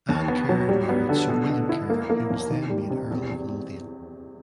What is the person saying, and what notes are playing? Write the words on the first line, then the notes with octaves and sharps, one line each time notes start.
Anne Kerr married Sir William Kerr who was then made Earl of Lothian.
D#2
B3
F#3
G3
B3
D3
B2
B2
E4
A#3
A#3
D#2
D#3
G3
C3
E2
E2